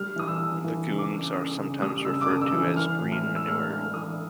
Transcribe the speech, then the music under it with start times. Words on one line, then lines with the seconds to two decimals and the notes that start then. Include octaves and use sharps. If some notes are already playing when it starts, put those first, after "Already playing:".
Legumes are sometimes referred to as "green manure".
Already playing: G3 F6
0.16 E3 D#6
0.28 E6
0.40 E3
0.64 E3
0.87 C#3
0.99 D6
1.11 C#3
1.35 C#3 D#6
1.58 C#3
1.82 G3 D#6
2.05 C#3 E6
2.21 D6
2.29 C#3 D#6
2.41 E6
2.53 E3
2.76 E3 F6
2.99 A2
3.12 F6
3.23 G#3
3.36 E6
3.46 A2 F6
3.70 G#3 F6
3.94 E3 D#6